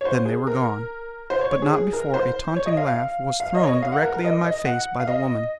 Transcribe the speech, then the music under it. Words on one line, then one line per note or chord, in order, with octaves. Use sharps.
Then they were gone, but not before a taunting laugh was thrown directly in my face by the woman.
C#5
C5
G#4
A#4
C5
C#5
C#5
G#4
G#4
A#4
C5
C#5
D#5
F5
F5
F5
D#5
C#5
D#5
F5
F#5
A#4
A#4
D#5
D#5
F#5
F5
D#5